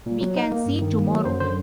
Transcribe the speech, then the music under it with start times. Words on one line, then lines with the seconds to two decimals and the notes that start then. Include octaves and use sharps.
We can see tomorrow.
0.06 A#2
0.21 F#3
0.36 D#4
0.51 A#3
0.66 G2
0.82 D#3
0.96 A#3
1.11 F#3
1.25 F#2 C5
1.40 D3 C5